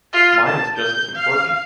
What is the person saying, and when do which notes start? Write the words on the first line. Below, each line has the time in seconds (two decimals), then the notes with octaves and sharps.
Mine is just as important.
0.13 F4
0.45 A5
0.77 G6
1.15 F5